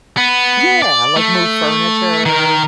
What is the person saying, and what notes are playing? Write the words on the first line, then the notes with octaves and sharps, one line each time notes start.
Yeah, like move furniture,
B3
D5
A3
D#3 A#4